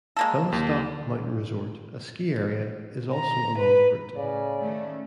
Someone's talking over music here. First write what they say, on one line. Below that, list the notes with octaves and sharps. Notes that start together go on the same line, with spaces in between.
Gunstock Mountain Resort, a ski area, is also along the route.
G#3 A#3 A4
D#2
A#5
B4
A2 C#3 D5
D#3 A3 C#4